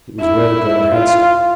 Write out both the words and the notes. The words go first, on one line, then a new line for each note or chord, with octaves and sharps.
It was where the girl had stopped.
E4
F4